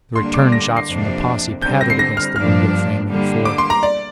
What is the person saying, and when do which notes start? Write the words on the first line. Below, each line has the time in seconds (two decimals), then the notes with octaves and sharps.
The return shots from the posse pattered against the window frame of the fort.
0.15 D3 G3 A#3 D4 C6
0.34 D6
0.52 A#6
0.77 C7
0.89 F2 C3 A#3 D4
1.62 D3 G3 C4 G6
1.81 A#6
1.90 C7
1.99 A#6
2.17 F6
2.36 G2 F3 A#3 D4 F6
3.09 D3 G3 A#3
3.45 D6
3.58 C6
3.70 A#5
3.83 D5